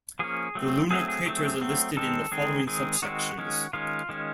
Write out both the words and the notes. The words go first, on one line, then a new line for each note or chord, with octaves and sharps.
The lunar craters are listed in the following subsections.
F3 A#3 C#4 G#4
F#3 A3 C4
F#3 A3 C4 G#4
G#4
F#3 A3 C4
F#3 A3 C4
D#3 G#3 C4 A4
D#3 G#3 C4 G#4
D#3 G#3 C4 G#4
D#3 G#3 C4 F#4
D#3 G#3 C#4
D#3 G#3 C#4 F4
D#3 G#3 C#4